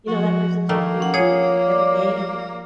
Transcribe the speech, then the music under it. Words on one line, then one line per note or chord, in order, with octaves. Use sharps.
you know, that person's with you every day
F3 F#4
D#3 A3 A#3
C#4 F#5
F4 G#4 A#4 C#5
D5 D6